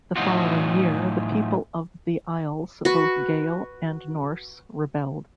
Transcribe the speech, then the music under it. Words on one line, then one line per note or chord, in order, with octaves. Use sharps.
The following year, the people of the Isles, both Gael and Norse, rebelled.
A2 E3 F#3 D#4 F4 F#4
F#4 B4